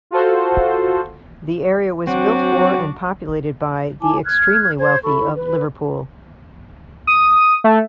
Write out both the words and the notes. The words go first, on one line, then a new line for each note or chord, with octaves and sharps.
The area was built for and populated by the extremely wealthy of Liverpool.
F4 F#4 A4 C5
F#3 C4 D4 F#4 F#5 G5
E4 G#5 A5 D6
F6 F#6 G#6
C5 G#6
E4 A4 B5 C#6
B4
D#6
A3